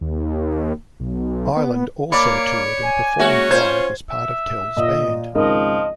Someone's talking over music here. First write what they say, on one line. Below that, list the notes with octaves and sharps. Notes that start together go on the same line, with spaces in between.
Ireland also toured and performed live as part of Tell's band.
D#2
B1
B3
A#3 C#5 D5 B5 D6
G#5
G#3 A#3 C#4 F#4 E5
F4 C5 G#6
E5
A#2 D#5
G#1 C#2 F3 A#4 D#5